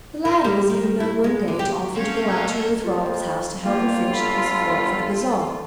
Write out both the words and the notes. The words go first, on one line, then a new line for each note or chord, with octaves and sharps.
The latter was even known one day to offer to go out to Ruth Roberts' house to help her finish a piece of work for the Bazaar.
D#3
G3
D#3
E4
G#3
D3
G4
A3 C4 C#4 C#5 F5
A#2 A#3 A4 D#5 C#7
F2 F4
G1 A#3 F4 G4
A4 B5